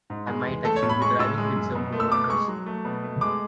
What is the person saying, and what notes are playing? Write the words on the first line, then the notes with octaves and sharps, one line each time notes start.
I might actually be driving with some coworkers.
G#2
G#3
E2
A3 A4
C#5
A2
B5
G#3 C#6
A2 E6
G#3
F#2
B2
A3
E6
B2 D6
G#3 C#6
F#3
A3
B2
A3
G#3 D6